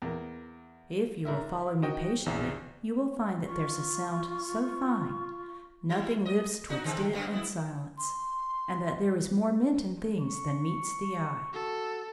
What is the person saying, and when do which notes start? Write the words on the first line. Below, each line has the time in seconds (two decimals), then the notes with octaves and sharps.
If you will follow me patiently, you will find that "there's a sound so fine, nothing lives 'twixt it and silence," and that there is more meant in things than meets the eye.
0.02 E2 A#3
1.25 G#2 A#4 E5
1.83 D#3 F#4 D#5 G5
2.26 A#1 E2
3.47 F4 C#6
5.90 F#3 E4
6.25 D#5
6.69 D4 D#4 F#4
6.84 D3 G#3 C4
7.13 F#2 G3 G#3
7.31 B3 E4
7.98 C6
10.20 C#6
11.54 F#4 A4